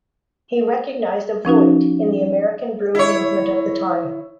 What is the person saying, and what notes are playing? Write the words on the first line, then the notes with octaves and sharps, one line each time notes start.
He recognized a void in the American Brewing movement of the time.
F3 C#4 D#4 F#4
E4 C#5